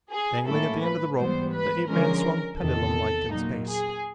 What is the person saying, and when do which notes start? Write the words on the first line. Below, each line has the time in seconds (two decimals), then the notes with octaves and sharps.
Dangling at the end of the rope the ape-man swung pendulum-like in space.
0.11 G#4
0.47 A2 F#3 A#3 C#4 E4 A4
0.83 B4
1.17 G#2 E3 G3 B3 C5
1.53 B4
1.89 D3 F3 G#3 C#4 A#4
2.59 E2 C3 D#3 A4
3.31 A#2 F#3 A#3 D#4
3.66 G#4